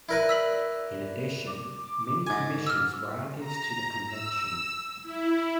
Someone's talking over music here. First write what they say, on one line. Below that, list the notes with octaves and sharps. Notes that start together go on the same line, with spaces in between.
In addition, many commissions were added to the convention.
E4 A#4 B4 D5
E6 B6 F#7
D6
G#2 G#5
D6 E6 F6
A#5
E6
E4